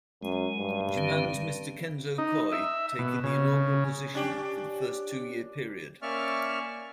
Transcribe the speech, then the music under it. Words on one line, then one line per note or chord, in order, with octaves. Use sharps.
Japan's Mr. Kenzo Koi taking the inaugural position for the first two-year period.
F#2 G#3
G2
D3 D#3 C4
D#4
E5
B2
C#3
C#4 D4 G4
A#3 C#4 D5 E5 C#6 F6